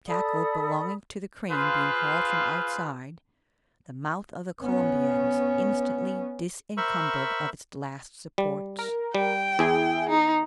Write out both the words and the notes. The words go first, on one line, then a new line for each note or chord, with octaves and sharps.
The tackle belonging to the crane being hauled from outside, the mouth of the Columbiad was instantly disencumbered of its last supports.
A4 D5 B5 D#6
F4 G#4 B4 C5 F5
B3 C#4
A#4 C5 E5 B5 C#6 E6
G3
A#4
G3 G5
E2 E4 G#4
D#4